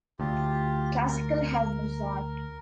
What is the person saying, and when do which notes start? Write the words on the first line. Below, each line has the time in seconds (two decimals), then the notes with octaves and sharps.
Classical had Mozart.
0.20 D2 F4 G4
1.07 A#4